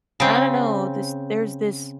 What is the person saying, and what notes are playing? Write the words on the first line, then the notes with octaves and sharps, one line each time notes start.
I don't know, this there's this
C#3 C4